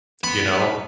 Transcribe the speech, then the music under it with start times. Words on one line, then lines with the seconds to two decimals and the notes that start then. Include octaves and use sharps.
you know?
0.24 B3 B5